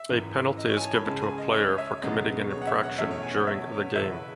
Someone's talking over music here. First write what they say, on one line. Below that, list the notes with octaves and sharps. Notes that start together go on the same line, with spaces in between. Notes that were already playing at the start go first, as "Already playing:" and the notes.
A penalty is given to a player for committing an infraction during the game.
Already playing: E5
G#1 F#2 E3
D#5
C#5
G#5
A5
B5
C#2 C#3 G#3 A5
G#5
D#5
C#5
E5
E1 D#2 C#3 F#3 B3 D#5
C#5
F#5
E5
F#5
E2 B2 A3 C#4 E5
C#5
G#5
F#5
E5
C#5
F#1 E2 B2 E5
B4